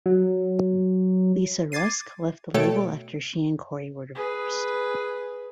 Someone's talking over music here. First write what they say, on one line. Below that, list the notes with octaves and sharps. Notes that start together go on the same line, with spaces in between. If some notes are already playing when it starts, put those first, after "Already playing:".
Lisa Rusk left the label after she and Corey were divorced.
F#3
D6 G#6 A6 C7 D#7
B2 A3 A4 C#5 G5 D7
G#4 B4